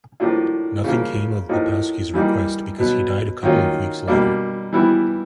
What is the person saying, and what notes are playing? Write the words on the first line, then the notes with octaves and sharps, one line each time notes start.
Nothing came of Wapowski's request, because he died a couple of weeks later.
A2 F3 A#3 D4 F4
C#3 F3 A#3
A2 F3 A#3 D#4
E3 G3 A#3 D#4
B2 F#3 B3
D#3 F#3 A#3 C#4 F4
B2 G3 A#3 D4
E3 G3 B3 E4